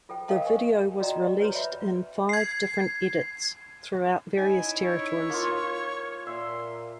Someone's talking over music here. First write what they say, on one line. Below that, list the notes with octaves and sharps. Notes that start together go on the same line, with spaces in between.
The video was released in five different edits throughout various territories.
F4 A4 C5 G5
A#4 C5 D#5 F5 G5 A5
G#5 C#6
F4 F#4 D5 D#5 G5 A#5
B4 C#5 A#5 C6
E5 B5
G#6 C7
C#4 D#4 E4 G#5
C#5
A#3 F4
A#2 E5 C6